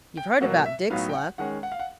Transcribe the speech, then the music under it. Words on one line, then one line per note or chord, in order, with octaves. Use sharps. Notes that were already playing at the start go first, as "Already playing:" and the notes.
You've heard about Dick's luck?'
G5
B2 F#3 A#3 F#5
E5
A2 F#3 B3 D#4 F5
G5
F#5
D#3 G#3 C#4 F#5
F#5
F5
F#5